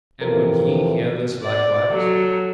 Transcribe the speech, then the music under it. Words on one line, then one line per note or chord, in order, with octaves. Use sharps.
And would ye hear this likewise?
F2 C3 E3 A#4
D5
F#3 A4